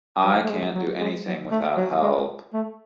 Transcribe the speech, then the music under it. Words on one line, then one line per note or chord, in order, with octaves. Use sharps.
I can't do anything without help.
F#3
A3
G#3
F#3
G#3
F#3
A3
F#3
G#3
A3